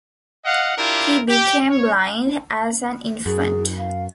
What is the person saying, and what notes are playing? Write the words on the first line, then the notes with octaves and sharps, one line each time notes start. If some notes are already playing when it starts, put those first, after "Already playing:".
He became blind as an infant.
D#5 F5 F#5
D4 E4 F4 G4 A#4
G4
C#5
F#2 G#4
F5